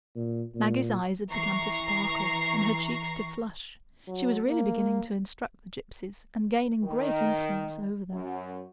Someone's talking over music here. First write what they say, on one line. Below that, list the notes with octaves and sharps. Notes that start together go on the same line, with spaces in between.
Maggie's eyes had begun to sparkle and her cheeks to flush,--she was really beginning to instruct the gypsies, and gaining great influence over them.
A#2
A#2
E3 A#5 C#6 C7
F#3
A#3
D#3
F#2